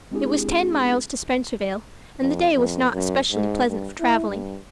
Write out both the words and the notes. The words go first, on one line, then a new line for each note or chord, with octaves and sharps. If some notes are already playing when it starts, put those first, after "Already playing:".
It was ten miles to Spencervale and the day was not especially pleasant for traveling.
G#3 C4 D4 E4 G4 G#4
F2
F2
F#2
G#2
G2
E4
G2